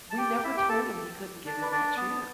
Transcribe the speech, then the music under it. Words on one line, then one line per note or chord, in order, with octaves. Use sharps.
we never told him he couldn't get in that chair.
A5
G4 G5
G5
E4 E5
G4 G5
A4 A5
D4 D5
B4
D4 D5
B3